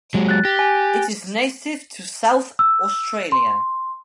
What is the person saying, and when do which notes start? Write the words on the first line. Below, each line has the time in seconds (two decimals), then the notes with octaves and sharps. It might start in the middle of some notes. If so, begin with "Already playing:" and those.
It is native to South Australia.
0.14 F#3 G#3
0.29 F#6 A6
0.45 G4 A#6
0.59 G#5
2.59 E6
3.32 C6